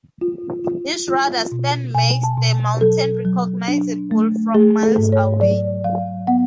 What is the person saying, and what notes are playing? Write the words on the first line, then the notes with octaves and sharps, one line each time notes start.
This radar stand makes the mountain recognizable from miles away.
F4
F4
F4
B2
B2 G#5
A5
B2
F#3 A4
F#3
D4
A3
A3 G#4
A4
G#2
C#5
F#3 D5
F#3 F5
B3 F#5